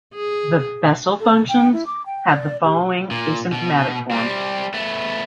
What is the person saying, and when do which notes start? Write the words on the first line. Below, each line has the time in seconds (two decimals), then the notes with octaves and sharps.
The Bessel functions have the following asymptotic forms.
0.15 G#4
1.19 A4
1.48 G5
1.72 E4
1.85 D6
2.07 G5
2.31 D5
2.63 G4
3.11 A#2
3.52 B2
4.11 G3 C4
4.74 A3 B3